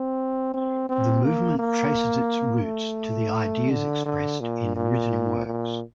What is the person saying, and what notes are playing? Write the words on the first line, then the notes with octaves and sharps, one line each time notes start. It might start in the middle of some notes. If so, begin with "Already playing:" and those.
The movement traces its roots to the ideas expressed in written works.
Already playing: C4
C4
C4
A#3
A#3
A3
D3
D3
A#2
A#2
A#2